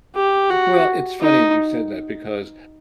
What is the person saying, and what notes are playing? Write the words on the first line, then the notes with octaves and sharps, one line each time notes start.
Well, it's funny that you said that because,
G4
F#4
D#4